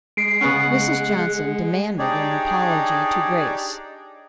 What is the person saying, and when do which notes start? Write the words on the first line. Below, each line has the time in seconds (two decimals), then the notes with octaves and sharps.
Mrs. Johnson demanded an apology to Grace.
0.17 G#3 C7 D7
0.41 C#3 B3 C#4 F#5
1.98 D4 D#4 G4 G#4 C#5 D5